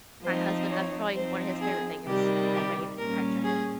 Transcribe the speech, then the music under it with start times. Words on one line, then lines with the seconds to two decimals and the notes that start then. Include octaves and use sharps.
my husband, that's probably one of his favorite thing is homemade fried chicken.
0.23 F3 C4 D#4 C5
0.69 C#5
1.15 F3 C4 D#4 C5
1.61 G#4
2.06 C3 D#3 G3 G4
2.53 G4
2.98 A#2 G3 C#4 A#4
3.44 G#4